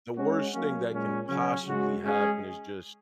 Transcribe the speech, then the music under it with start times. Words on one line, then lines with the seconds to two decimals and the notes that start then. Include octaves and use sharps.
the worst thing that can possibly happen is just,
0.15 G#3 C#4 F#4
0.53 F#3 A#3 C#4
0.91 A#2 G#3 C#4
1.27 C#3 F#3 C#4
1.65 C#3 G#3 F#4
2.02 G#3 C#4 G#4